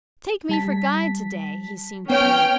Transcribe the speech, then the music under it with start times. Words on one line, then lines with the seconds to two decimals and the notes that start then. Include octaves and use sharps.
"Take me for guide to-day," he seemed to plead.
0.49 G3 A5 B6
2.10 B3 C#4 C#5 G5 F6